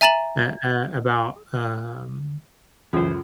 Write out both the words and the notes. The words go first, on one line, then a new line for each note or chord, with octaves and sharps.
at, uh about, um,
E5 G#5 A#5 A6 E7 F#7
C#2 F#2 E3 F4 A4 C5